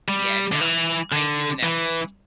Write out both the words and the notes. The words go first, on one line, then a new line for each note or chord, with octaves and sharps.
Yeah, no. I ain't doing that place.
G3
D3
E3
D3
E3